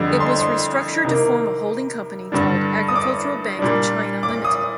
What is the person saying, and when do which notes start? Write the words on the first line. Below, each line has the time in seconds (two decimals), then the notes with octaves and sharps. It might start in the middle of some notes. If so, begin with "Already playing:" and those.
It was restructured to form a holding company called Agricultural Bank of China Limited.
Already playing: F2 D3 G3
0.20 C6
0.41 C6
1.05 C3 D#3 A#3
2.32 G2 D3 G3 D4
2.88 D#6
2.96 D6
3.59 A#2 G3 D4
4.23 D6
4.45 D#6